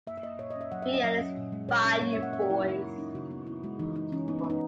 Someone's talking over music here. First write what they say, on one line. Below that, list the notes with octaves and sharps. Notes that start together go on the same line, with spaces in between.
B. and his Bayou Boys.
A#3 E5
E5
A#3 D#5
A#2 C#5
D#5
C#4
E5
F#3 F#5
E5
C#4
D#5
F#3
C#4
A#2
G#3
A#2 C#5
C#4
A#3 C#5
E5
C#4 F#5
C#4 E5
A#4
F#3 E4
D#4
C#3
C#3
C#4 D#4
C#3 F#4
B3
B3 E4
G#3 F#4
E3 D#4
E3 D#4
E3 C#4
B3 D#4
C#4
B3
D#4